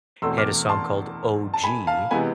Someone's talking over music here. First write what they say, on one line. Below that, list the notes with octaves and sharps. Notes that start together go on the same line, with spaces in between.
had a song called OG,
E2 B2 A3 C4 C6 E6
D6 F6
A5 C6
A5
G#5 B5
F5 A5
C3 E3 G#3 B3 G#5 B5